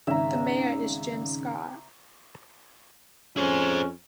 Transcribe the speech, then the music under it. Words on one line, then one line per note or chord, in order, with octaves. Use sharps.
The mayor is Jim Scott.
G#1 C#3 E5 A#5
F2 C#4 G#4 C5